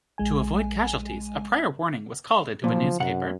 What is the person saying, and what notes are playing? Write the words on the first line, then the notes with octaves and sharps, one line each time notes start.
To avoid casualties, a prior warning was called into a newspaper.
A#1 G#3 G#5
B1 A#2 F3
F#2 C3 F#5